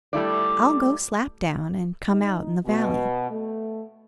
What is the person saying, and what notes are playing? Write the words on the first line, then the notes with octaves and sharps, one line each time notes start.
I'll go slap down, and come out in the valley.
G3 A3 E4 D5
D#4
B2
A3